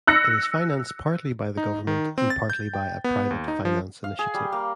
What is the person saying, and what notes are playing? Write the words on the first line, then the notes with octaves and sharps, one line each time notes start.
It is financed partly by the government and partly by a private finance initiative.
E6 F#6 A#6 C#7
D#4
D#3
C4
A6
G6
G5
B3
D#2
D#4
F3
F5
G#4
G3
A#3